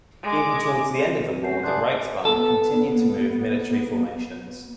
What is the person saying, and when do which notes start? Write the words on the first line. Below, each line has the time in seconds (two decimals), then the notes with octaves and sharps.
Even towards the end of the war the Reichsbahn continued to move military formations.
0.23 G#3 D6
1.21 C4 B4
1.43 A3 C#4 F#4 A5 G6 C7
1.63 C#3 D4 G#4 F#5 C6 F#6
2.25 B3 A4